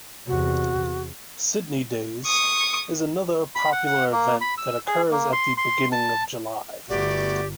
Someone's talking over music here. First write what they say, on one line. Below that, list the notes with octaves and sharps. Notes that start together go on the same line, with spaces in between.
"Sidney days" is another popular event that occurs at the beginning of July.
E2 C3 F#4
C#6 D#6
B5
F#5
F#5
A#3
B5
E6
G#4
A#3
C6
C6
A5
G1 A3 B3 F#4 G4 D5